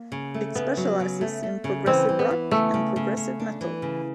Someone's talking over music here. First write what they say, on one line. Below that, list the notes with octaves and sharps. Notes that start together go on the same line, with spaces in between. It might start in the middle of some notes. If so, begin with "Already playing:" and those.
It specializes in progressive rock and progressive metal.
Already playing: A#3
C#3
A3
C#3 B3
F#3
C#3
A3
A3
C#3
E3 C4
E3
B3
E3
C#3 A3
C#3
C#3
C#3
D4
E3
C#3